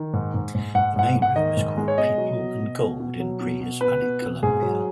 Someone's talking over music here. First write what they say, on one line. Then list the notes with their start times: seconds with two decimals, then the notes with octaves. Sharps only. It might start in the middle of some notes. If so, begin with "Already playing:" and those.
The main room is called "People and Gold in pre-Hispanic Colombia".
Already playing: D#3
0.13 G#2
0.34 G#2
0.55 G#2
0.75 G#2 F#5
0.96 G#2 F#5
1.15 G#2
1.22 F#5
1.36 D#3 D#5
1.57 G#2
1.77 G#3
1.88 C#5
1.98 B2 D#5
2.18 F#3
2.38 B2
2.59 B2
2.79 B2
3.00 B2
3.20 F#3
3.41 B2
3.61 B2
3.81 B2 B4
4.02 B2
4.22 B2
4.43 G#2 G#4
4.62 F#3